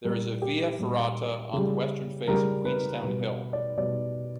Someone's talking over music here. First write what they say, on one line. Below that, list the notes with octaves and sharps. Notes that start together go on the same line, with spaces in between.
There is a via ferrata on the western face of Queenstown Hill.
A#2 G3 A#4
G4
A#2 G3
C#3 G3
C#3 G3 A#4
B4
B2 G3 B4
D5
B2 G3 D5